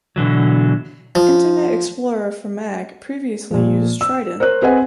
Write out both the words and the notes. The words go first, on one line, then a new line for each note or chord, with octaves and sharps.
Internet Explorer for Mac previously used Trident.
B2 D3 E3 F#3
F3
A#2 F3
E6
A#4 C5 C#5 F#6
C4 G#4 B4 D#5 F#5 G#5